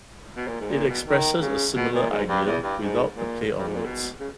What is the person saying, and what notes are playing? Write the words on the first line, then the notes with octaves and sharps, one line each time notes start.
It expresses a similar idea without the play on words.
B2
A#2
G#2
A#2
B2
D#3
C#3
B2
A#2
G#2
G2
E2
G2
G#2
A#2
G2
G#2
A#2
B2
C#3